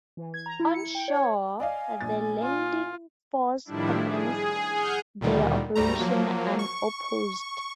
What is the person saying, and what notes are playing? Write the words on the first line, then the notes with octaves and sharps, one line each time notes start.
On shore, the landing force commenced their operations unopposed.
E3
G#6
A#5
E4
C#7
G5
C#5
D5 D#5 F5 G#5
A#1 A6
F4
A2 D#3 F3 G3 D4 E4
G#4
G#4 F#5 F6 G6
D2 A#2 D3 D#3 G3
D2 G#2 G3 A3 A#5
F3 F#3 A#3
C#6